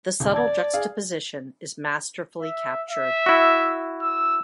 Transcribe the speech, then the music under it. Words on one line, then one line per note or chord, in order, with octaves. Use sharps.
The subtle juxtaposition is masterfully captured.
D#1
D5 A5 G#6
G#4 F5
E5
E5
E4 F#4
E6